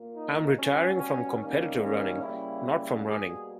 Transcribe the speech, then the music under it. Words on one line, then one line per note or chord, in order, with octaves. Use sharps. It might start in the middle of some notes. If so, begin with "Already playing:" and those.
I'm retiring from competitive running, not from running.
Already playing: A#2 A#3
D#4
B2 G3 B3 C#4
C#4
D#3 G3 A#3 C#4
C#4
C#3 G3 A#3 E4
B2 G3 A#3 G#4